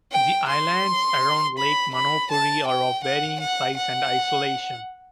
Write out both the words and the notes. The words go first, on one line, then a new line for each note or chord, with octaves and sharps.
The islands around Lake Manapouri are of varying size and isolation.
G5
C6
B5
B5
A5
G5
F#5
F#5
F#5